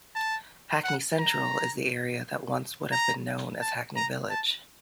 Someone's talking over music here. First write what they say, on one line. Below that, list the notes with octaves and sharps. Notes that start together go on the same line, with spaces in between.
Hackney Central is the area that once would have been known as Hackney Village.
A5
F#5
A#5
A#5
A5
A#5
A5